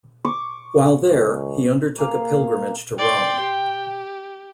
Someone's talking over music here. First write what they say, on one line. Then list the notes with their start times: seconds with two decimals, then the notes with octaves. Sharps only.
While there, he undertook a pilgrimage to Rome.
0.25 C#6 D6
1.11 C#2
1.98 A#3 G#4 F5
2.98 D5 G5 C6
3.41 G4